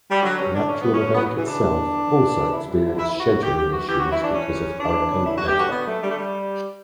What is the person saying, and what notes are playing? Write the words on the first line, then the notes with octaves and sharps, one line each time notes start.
The actual event itself also experienced scheduling issues because of Hurricane Eta.
G3
D3 F#3
G2 C#4
D3 D4
D3 C#4
G2 B3
D3 C#4
F#2 B3
E3 F#3
E3
C#3 D4
D3
E2
D3
E2
E3
C#3
D3 E4
F#2
D3
D2 E4
E3 E4
F#4
C#3
E3 G4
F#2 G4
E3 F#4
E3 G4
F#2 F#4
E4
E3 D4
E3 C#4
F#2
E3
D2 D4
E3
C#3
D3 E4
G2 F#4
G4
D3 F#4
D3 B3
F#2 A3
D3 G3
A3
G3